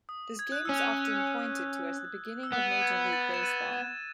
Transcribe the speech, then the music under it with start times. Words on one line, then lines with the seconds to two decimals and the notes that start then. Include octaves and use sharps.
This game is often pointed to as the beginning of Major League Baseball.
0.09 D#6
0.39 G#6
0.52 F#6
0.65 C#4 E6
0.78 F#6
2.43 E6
2.52 B3 F#6
2.82 G#6
3.13 A6
3.34 E7
3.43 D#7
3.74 G#6